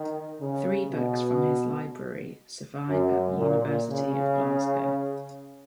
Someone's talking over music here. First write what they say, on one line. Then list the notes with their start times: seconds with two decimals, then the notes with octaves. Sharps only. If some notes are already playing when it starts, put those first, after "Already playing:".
Three books from his library survive at the University of Glasgow.
Already playing: D#3
0.40 C#3
0.90 B2
2.88 F#2
3.38 A#2
3.88 C#3